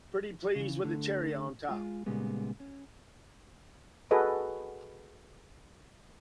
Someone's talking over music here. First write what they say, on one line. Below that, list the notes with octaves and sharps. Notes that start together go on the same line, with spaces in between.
Pretty please with a cherry on top!
C#3 E3
D3 A3
G#3 F4
A#2 C#3 G3 G#3 B3
C#4
F#4 G#4 A4 B4 D#5